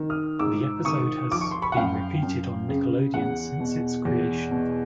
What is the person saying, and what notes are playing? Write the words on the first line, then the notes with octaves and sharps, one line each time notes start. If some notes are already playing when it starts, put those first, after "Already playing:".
The episode has been repeated on Nickelodeon since its creation.
Already playing: D#3
D#6 F6
G#2 D6 E6
D#3 C#6 D#6
F3 D6
C#6
C6
B5 C#6
F#5
F#2 F5 G5
F#2
C#3
E2 F#5
B2
E2
B2